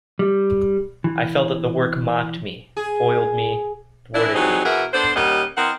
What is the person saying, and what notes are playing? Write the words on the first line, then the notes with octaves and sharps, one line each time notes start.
I felt that the work mocked me, foiled me, thwarted me.
G3
E3
G#4
E3 D4 E4
E3 F#3 G3 C4 D#4 G#4
B2 E3 G#4 A#4 E5 F#5
B3 D4 A4 C5
D#2 G3 C#4 A#4 D#5 F#5
E3 C4 A#4 D#5 F#5